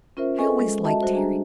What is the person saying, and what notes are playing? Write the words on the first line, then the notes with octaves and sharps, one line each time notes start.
I always liked Terry.
C#4 F4 A#4 C5 E5
G#4 A4 B4 D#5 G#5 C#6
G#3
F#4 D#5 E5 A5 A#5
G3 F#4 C5
D4 G#4 G#5 A#5